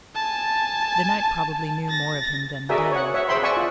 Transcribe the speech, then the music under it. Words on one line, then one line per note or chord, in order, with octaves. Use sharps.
The night probably knew more of him than the day.
G#5 A5
A6 A#6
F#4 G#4 A#4 D5 E5 G#5
C#5 F#5
C#5 E5 F#5
G#4 C5 E5 G5 B5 C6
D5 F#5 G#5 B5 C#6 E6
F4